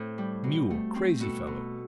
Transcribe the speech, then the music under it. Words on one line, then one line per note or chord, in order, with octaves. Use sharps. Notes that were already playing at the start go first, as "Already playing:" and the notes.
Mule! Crazee fellow!
Already playing: A2 C4 A4 C5
G3
B2
A3
C4
B2 F#4 A4
B2